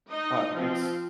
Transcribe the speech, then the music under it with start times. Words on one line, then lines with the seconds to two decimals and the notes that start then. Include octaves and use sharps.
Uh, it's
0.10 D#4 D#5
0.53 F3 C4